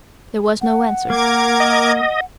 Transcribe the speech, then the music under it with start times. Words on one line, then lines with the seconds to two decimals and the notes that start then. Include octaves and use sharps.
There was no answer.
0.61 F#5
1.10 A#3 A#4 D6 G#6
1.60 D#5